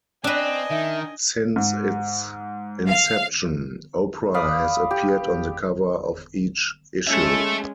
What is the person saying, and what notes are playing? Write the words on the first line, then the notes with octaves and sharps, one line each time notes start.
Since its inception, Oprah has appeared on the cover of each issue.
C4 D4 B4 D#5 G#5
D#3 E5
G#2
F5
D5 F5 B5 D#6
G4
G#3 C#4 A4 E5